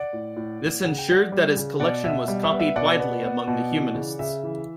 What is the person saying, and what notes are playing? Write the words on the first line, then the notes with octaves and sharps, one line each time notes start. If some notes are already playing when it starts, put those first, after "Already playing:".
This ensured that his collection was copied widely among the humanists.
Already playing: D5 F#5
A2
A2
A2
C#3 F#5
G5
G3 D5 F#5
G3
C#3
B2 D5 F#5
B2 E5
G3
E5
B3
E5
B2 D5 F#5
B3
B3
B2
E3
C#3
C#3 E5
E3